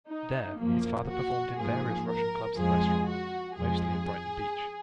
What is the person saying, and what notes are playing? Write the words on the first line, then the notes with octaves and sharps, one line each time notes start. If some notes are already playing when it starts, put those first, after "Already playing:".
There, his father performed in various Russian clubs and restaurants, mostly in Brighton Beach.
D#4
F#2 F3 A#3
F#4
G#2 F3 A#3 G#4
A#4
F2 F3 G#3 G#4
F#4
F2 F3 G#3 G#4